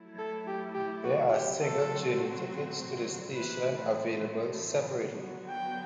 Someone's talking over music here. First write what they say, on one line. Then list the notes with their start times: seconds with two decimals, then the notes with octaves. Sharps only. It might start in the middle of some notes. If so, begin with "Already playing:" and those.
There are single journey tickets to the station available separately.
Already playing: F#3 A3 E4
0.19 A4
0.47 G4
0.75 G4
1.04 F#4
1.33 G4
1.61 A2 F#3 C4 F#4 A4
3.33 A2 E3 A3 C4 E4 B4
5.05 D3 F#3 B3 F#4
5.49 G5